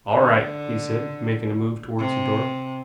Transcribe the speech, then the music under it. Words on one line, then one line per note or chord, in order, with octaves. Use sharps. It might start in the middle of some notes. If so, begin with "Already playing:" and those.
"All right," he said, making a move towards the door.
D3
C3